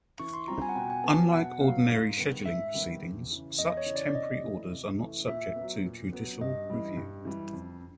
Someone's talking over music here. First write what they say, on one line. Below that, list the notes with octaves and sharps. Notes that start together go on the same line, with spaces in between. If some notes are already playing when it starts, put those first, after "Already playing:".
Unlike ordinary scheduling proceedings, such temporary orders are not subject to judicial review.
E3 C#6
C6
G3 C4 F4 A#5
G#5
F#5
B2 G5
G#5
F#3 B3 A5
B2 F#5
F#3 B3 F5
G#2
D#3 G3 B3
G#2 E5
D#3 G3 B3
E2
C#3 E3
E2 D#5
C#5
C#3 E3
D5
D5
C3 D#5
E3 A3
C3
E3 A3
A#2 E5
B3
F#3
A#2
F#3 B3
G2 D#5
E3 G3
G2
E3 G3
F2